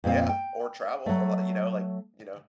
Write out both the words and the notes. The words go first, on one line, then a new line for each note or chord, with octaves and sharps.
yeah, or travel, or like you know, like you know,
F2 A#2 C4 F5
G5
F#3 A3